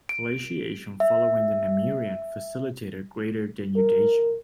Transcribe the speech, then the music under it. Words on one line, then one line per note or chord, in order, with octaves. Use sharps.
Glaciation following the Namurian facilitated greater denudation.
D7
E5
A#4